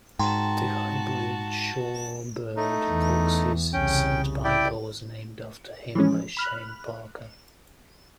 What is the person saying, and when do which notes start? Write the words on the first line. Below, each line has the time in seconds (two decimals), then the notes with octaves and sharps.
The hybrid shorebird Cox's sandpiper was named after him by Shane Parker.
0.19 G#2 F#4 G5 A5 A#5 C6
2.57 A3 D#4
2.89 E2
3.73 C2 C#3 C#4 G5
4.44 E4 D5 G5
5.95 E3 F3 G#3 C#4
6.37 B5 F6 F#6